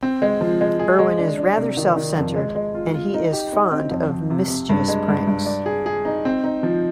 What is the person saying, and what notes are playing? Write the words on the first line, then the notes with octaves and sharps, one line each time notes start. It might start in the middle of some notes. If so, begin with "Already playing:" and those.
Erwin is rather self-centered, and he is fond of mischievous pranks.
C4
G#3
F3
G#3
G#4
G#3
D4
D4
C3
D#3
D#3
F2
G#3
G#3
F4
F4
D#4
G4
D#4
C4
F2
F2
C3
C3
G2
G#3
G2
G2
D5
G#4
G#4
D#4
C4
D#4
F3